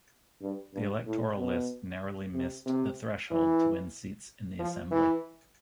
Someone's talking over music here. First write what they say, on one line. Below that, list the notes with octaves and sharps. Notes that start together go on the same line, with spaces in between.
The electoral list narrowly missed the threshold to win seats in the assembly.
G2
G2
A2
B2
C3
C3
E3
F3
E3